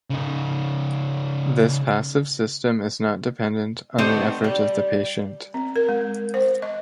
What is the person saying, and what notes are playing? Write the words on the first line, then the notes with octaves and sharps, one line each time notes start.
This "passive system" is not dependent on the effort of the patient.
C#3 D#4
G3 A3 B3 C4 D#4 G4
G3
C4
A#4
G#3
C5
D#5